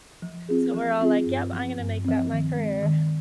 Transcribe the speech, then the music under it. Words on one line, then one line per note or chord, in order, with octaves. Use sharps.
so we're all like, "Yep, I'm gonna make that my career."
F3
C4 F4 G#4
F3
C4 F4 G#4
G2
F3 C4
G2
F3 C4
D#3
G#3 C4
D#3